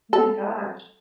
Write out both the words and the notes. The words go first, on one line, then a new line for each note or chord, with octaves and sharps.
Oh my gosh.
A4